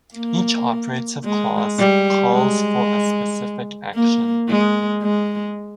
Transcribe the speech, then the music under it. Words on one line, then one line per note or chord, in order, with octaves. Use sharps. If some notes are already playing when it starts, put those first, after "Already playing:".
Each operative clause calls for a specific action.
A#3
G#3
G3
G#3
A#3
G#3
G#3